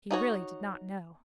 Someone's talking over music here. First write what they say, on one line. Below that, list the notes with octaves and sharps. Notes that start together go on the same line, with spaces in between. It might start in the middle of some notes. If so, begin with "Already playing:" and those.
He really did not know.
D#4 F#4 C#5